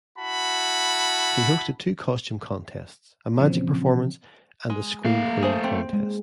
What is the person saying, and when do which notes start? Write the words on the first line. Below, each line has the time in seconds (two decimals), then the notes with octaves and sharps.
He hosted two costume contests, a magic performance, and a scream queen contest.
0.18 E4 F#4 A5 B5
3.39 A#2 C#3 E3 F3 C4 C#4
4.70 G#3
5.05 A3 A#3 F5
5.43 G#4 C5 A5
5.64 C4
5.93 G#3